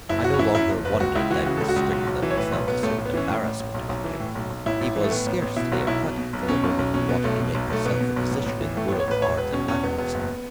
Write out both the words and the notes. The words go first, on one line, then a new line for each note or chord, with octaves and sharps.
I no longer wondered that Mrs. Strickland felt a certain embarrassment about him; he was scarcely a credit to a woman who wanted to make herself a position in the world of art and letters.
F#1 E4
F#1 F#4
C#4
E3 E4
F#2 E4
F#1
F#1 B4
C#2 F#4
C#2 E4
E3 F#4
C#3 F#4
C#2 A4
F#4
C#2
B1 F#4
B1
E3
C#5
A2 B4
B1 B4
B1 B3
A1 A3
A1
B3
E3 C#4
A2
A1
A1
B1
B1
E3
A2
B1
B1
A1 E4
A1
E3
A3
A2 B3
A1
A1
B2 E4
B1 F#4
B1 E4
B2
B2
B1
B3
B2 C#4
B1
B1
B2 C#4
B2 B3
B1 A3
B2
B1
B1 A3
B2 B3
B2
B1
A1
A1
E3
A2 A3
A1 B3
C#5
A1 B4
E1 C#5
E1 B4
B2 C#4
E2 C#4
E1 B3
E1 B3
F#1